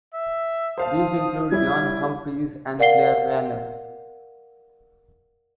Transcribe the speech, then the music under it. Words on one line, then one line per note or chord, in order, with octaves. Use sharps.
These include John Humphrys and Claire Rayner.
E5
C5 F5 A5 D#6
G3 C#4 E4 G#6
A#4 D5 F5 F#5 C7 G7